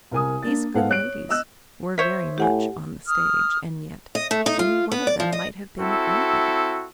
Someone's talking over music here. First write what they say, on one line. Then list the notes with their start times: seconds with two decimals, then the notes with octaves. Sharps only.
But these good ladies were very much on the stage, and yet any one of them might have been a grandmother.
0.11 C2 A#4 G#5 D#6
0.43 A#3 D4 A6
0.74 G#2 B3 A4 F5 F#5
0.89 C#5 F#6 D7
1.29 D#5 E6 F#6
1.98 C5 C#5 E5
2.38 A2 G4 F#5 G#5
3.07 D#6 F6
4.15 D#5
4.31 A3
4.46 D#4
4.59 F4
4.92 B3
5.07 D5
5.20 F3
5.32 D#5
5.80 C4 E4 F#4 A4